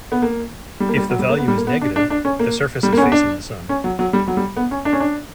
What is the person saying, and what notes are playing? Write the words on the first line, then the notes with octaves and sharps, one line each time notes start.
If the value is negative, the surface is facing the sun.
B3
A#3
G3
A#3
G3
F#3
G3
A#3
B3
G3
A#3
B3
D4
D4
D4
C#4
A#3
G3
A#3
C#4
B3
D4
C#4
F#3
F#3
G3
F#3
G3
B3
C#4
D4
C#4
D4